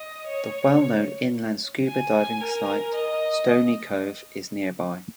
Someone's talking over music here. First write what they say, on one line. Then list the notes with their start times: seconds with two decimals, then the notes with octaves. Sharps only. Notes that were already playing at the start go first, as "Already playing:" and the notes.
The well-known inland scuba diving site Stoney Cove is nearby.
Already playing: D#5
0.27 C#5
1.88 G#5
2.41 A#4
2.95 D#5